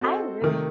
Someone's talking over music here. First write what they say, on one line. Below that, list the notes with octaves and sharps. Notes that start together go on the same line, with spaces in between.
I really
C4 F#4 A4 C5 D#5
C3 D#3 A3